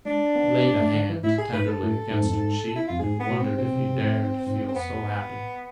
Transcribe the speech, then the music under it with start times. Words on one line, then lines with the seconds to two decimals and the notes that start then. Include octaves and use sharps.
He laid a hand tenderly against her cheek and wondered if he dared feel so happy.
0.05 G#3 D4
0.36 B3
0.65 B3
0.79 A3
0.94 D3
1.09 E3
1.23 A2 E4
1.38 G#4
1.52 G#2 B4
1.68 A4
1.83 A2
2.11 G#2
2.21 F2
2.30 G#2
2.76 E4
2.88 F2 F4
2.99 G#2 G#4
3.20 B3
3.29 B2
3.39 C4
3.58 B2 C4
3.73 C3
3.89 C3
4.02 A2
4.17 G#2
4.47 G#2
4.68 C4
4.76 F2 B3
5.35 A2